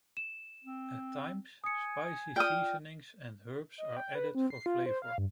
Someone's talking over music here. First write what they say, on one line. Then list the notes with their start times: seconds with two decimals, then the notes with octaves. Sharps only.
At times, spicy seasonings and herbs are added for flavour.
0.17 E7
0.64 C4
1.64 G#5 D#6 C#7
2.36 F4 D5 G5 D#6 F6
3.78 D#5
3.96 G5
4.15 B4
4.35 C4
4.50 C7
4.66 F4
4.86 C5
5.02 F5
5.18 G2